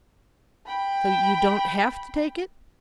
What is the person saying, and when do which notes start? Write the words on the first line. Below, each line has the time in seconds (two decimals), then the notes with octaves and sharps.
So you don't have to take it.
0.67 G5 B5